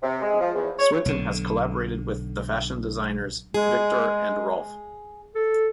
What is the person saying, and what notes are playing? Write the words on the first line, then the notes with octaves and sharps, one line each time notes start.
Swinton has collaborated with the fashion designers Viktor and Rolf.
C3
G#3
F3
E2
C#5
B1 D3
G#3 G#4
A4